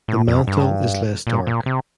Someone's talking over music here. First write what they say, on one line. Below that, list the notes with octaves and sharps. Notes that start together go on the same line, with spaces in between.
The mantle is less dark.
A2
F2
G2
A#2
A#2
C3